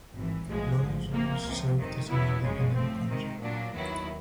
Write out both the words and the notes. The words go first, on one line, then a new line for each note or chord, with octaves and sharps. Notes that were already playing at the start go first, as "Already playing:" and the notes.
Lawrence Walsh served as in independent counsel.
G#1 G2 E3
B1 A2 F3 G#3
A1 G#2 F3
C3 F3 A#3
C#2 C3 F3
G1 F2 C3 D#3
E2 C#3 F#3 B3 E4
G1 F#2 C#3 F3 G#3
A2 F3 A3 C4
C3 D#3 G#3
A#2 F#3 A#3 D4
D#2 D#3 F#3 B3 E4